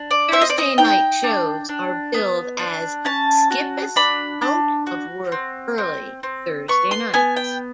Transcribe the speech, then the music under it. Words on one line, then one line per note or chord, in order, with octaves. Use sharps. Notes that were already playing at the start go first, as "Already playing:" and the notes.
Thursday night shows are billed as "Skippeth-Out-Of-Work-Early Thursday Nights".
Already playing: D4
D5
C4 E5
D#5
D5
D#5
D#4 G5
D4
D4
B3
D4
C#4 A5
F#4
D4 B5
D4
F#4
C4
C4
C4
B3 C#6
C6
B3 G#5
G5